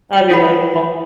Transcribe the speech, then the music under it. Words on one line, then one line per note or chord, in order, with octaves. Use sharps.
That'd be really cool.
G5
E4 A4 C#5 F#5 A5 B5